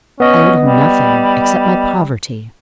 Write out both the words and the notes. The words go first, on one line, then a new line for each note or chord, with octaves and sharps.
I owed him nothing, except my poverty.
B3 C#4 D#5
G3